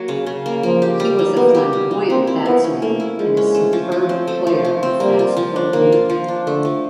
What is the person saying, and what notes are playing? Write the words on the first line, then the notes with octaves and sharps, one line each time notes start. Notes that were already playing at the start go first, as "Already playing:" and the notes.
He was a flamboyant batsman and superb player of fast bowling.
Already playing: F#3 A#3
C#3
C#3
A#3
F3 A#3
G4
G3
D#4
A#3 B3
G4
G3
D#4
A#3 C4
E4
F3 B3
C#4
A3 A#3
E4
F3 G#3
C#4
A3
F3
F3
C4
A3
F3
F3
C4
G3 A#3
F4
F3
D4
D#3 A#3
F4
F3
D4
D3 A3
F3